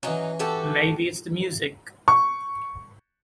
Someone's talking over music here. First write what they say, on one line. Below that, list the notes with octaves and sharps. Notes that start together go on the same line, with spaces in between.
Maybe it's the music.
E3 F#3 C#4 D#4
F#4 G4 A4
C#6